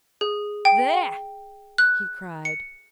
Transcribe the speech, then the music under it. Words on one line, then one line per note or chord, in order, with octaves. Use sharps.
"There!" he cried.
G#4
G5
F#6
C#7